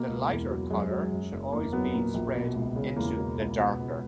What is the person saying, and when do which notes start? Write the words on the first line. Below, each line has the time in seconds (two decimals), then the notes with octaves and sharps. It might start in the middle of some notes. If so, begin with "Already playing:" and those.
The 'lighter' color should always be spread into the darker.
Already playing: B2 A#3
0.08 C#2
0.29 E2
0.49 F#3
0.70 F#2 G#3
0.90 F#3
1.11 F#2
1.32 F#1
1.52 E2 A#3
1.73 F#3 B3
1.93 A#2 A#3
2.14 A#1
2.35 B2
2.55 C#2
2.76 C#3 G#3
2.96 E2 A#3
3.17 B2
3.38 C#2
3.58 B2 B3
3.79 C#2